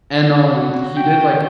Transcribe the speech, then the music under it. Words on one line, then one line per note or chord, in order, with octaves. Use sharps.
And, um, he did like
F#4
G5